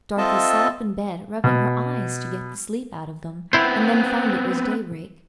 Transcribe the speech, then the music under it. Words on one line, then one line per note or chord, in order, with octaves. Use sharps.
Dorothy sat up in bed, rubbing her eyes to get the sleep out of them, and then found it was daybreak.
C4 F4 A4 D#5 E5 A5
B2
B3 C4 E4 C5